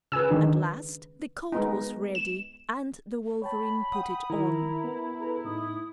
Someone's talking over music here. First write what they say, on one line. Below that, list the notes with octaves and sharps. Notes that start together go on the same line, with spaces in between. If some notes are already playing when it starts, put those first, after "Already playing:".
At last the coat was ready, and the wolverine put it on.
C#3 B4 G#5 E6
D#3 D4
G#3 B3 D#4
E7
C#5 G5 A5 B5
F#5 G5 D#6
D#3 E4 A#4 A#5
B3
G#4 A4 B4 A#5
A2 D#4 D#6